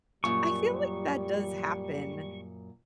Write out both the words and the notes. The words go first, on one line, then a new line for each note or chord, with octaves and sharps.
I feel like that does happen
F#2 A#2 G3 C#6